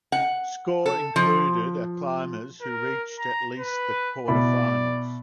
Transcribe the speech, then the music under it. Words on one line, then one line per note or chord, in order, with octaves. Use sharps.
Score Included are climbers who reached at least the quarterfinals.
F#5
A4
F3
A#4
A#5
B4
B2 E4 D5 B5